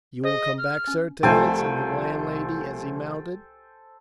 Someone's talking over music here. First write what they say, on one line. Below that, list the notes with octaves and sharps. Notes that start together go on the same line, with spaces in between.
"You will come back, sir, to-night?" said the landlady, as he mounted.
G#4 C5 D#5
F6
C#4
C2 F3 A3 A4 C5 G5 G#5